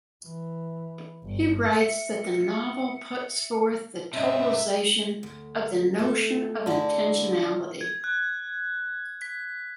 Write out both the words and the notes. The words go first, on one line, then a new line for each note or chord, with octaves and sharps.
He writes that the novel puts forth the "totalization of the notion of intentionality".
E3
G1
E5 C#7
G#2 C3 C#4 D#5 E5
D2
A3
D3 D#4 E4 G#4
G#6
F#6
B6